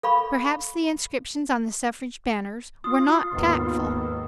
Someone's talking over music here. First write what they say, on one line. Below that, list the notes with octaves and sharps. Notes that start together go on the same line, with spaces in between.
Perhaps the inscriptions on the suffrage banners were not tactful.
A4 F5 B5 C#6
F4 D#6
D#2 G#2 B3